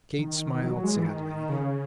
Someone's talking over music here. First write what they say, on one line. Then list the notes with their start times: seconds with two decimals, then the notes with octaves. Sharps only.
Kate smiled sadly.
0.18 D#3
0.63 F#3
0.74 F#3
0.84 G#3
0.96 E3
1.06 D#3
1.49 C#3